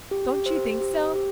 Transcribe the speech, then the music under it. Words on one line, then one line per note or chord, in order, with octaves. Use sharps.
Don't you think so?
G4
C5
G4
G4